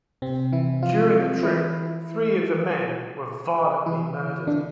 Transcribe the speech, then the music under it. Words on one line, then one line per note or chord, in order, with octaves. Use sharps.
During the trip, three of the men were violently murdered.
C3 C4
E3 E4
F3 F4
E3 E4
E3 E4
D3 D4